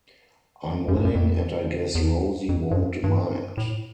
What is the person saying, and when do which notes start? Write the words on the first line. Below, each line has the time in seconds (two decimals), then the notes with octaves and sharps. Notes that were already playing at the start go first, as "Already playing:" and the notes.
I'm willing, and I guess Rosie won't mind.
0.88 F#2
0.96 G2
1.05 F#2
1.15 F2
1.95 E2
2.49 F2
2.71 G2
2.76 F#2
3.04 G2
3.57 A2